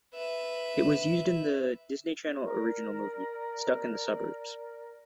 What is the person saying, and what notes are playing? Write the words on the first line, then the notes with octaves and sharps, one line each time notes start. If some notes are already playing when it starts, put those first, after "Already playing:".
It was used in the Disney Channel Original Movie "Stuck in the Suburbs".
B4 E5
A#4 D5